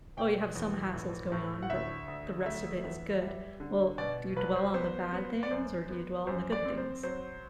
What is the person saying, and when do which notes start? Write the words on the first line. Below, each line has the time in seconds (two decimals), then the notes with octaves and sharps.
oh, you have some hassles going on, but the rest of it is good. Well, do you dwell on the bad things or do you dwell on the good things?
0.17 B2 G5
0.55 E2
0.94 A2
1.32 A2
1.63 F#5
1.70 D2 E5
2.08 D2
2.45 A3 E5
2.84 E2
3.22 G3
3.60 D3
3.98 B2 D5
4.37 C2 B4
4.56 C5
4.74 B3 C5
5.13 B3
5.43 D5
5.50 F#2 C5
5.89 B3
6.27 F#2 C5
6.52 D5
6.65 C4
6.78 C5
7.03 F#3 C5